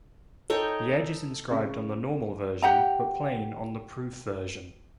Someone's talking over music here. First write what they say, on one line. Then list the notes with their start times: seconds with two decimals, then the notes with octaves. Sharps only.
The edge is inscribed on the normal version, but plain on the proof version.
0.50 D#4 A4 C#5 G5
1.51 C#3
2.62 G4 F#5 A#5